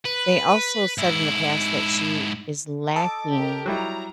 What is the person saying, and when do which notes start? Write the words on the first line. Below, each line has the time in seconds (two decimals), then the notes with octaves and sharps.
they also said in the past that she is lacking
0.05 B4
0.98 G#2 E4
2.96 A4 D#5 A5 D6
3.33 G4 A#4
3.66 F#3 G3 E4 A#5